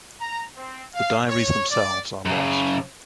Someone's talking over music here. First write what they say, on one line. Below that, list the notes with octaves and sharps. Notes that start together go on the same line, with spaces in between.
The diaries themselves are lost.
A#5
C4
F5
C#5
D5
F#2 C#3